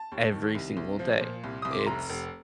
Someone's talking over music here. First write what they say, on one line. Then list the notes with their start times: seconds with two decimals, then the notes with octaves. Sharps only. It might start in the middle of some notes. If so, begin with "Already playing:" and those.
every single day. It's
Already playing: A5
0.12 D#2
0.33 D#3
0.55 C2
0.77 C2
0.99 F3
1.21 A#2
1.44 C2
1.62 C2 D#6
1.71 D6
1.79 C6
1.86 F1 A#5
2.09 F1